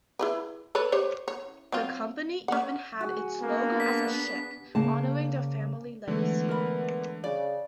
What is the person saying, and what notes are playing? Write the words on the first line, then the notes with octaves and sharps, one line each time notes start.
The company even had its logo as a ship, honouring their family legacy.
E4 G#4 B4
A4 B4 C#5
G4 C5 C#5
C#5
F#3 C4 F4
C#4 F#5
F#4 G#4
A#3 B3 D4
B6
C#3 A#3 A5
D3 E3 G#3 A3 B3
A#4 B5
C#3 D5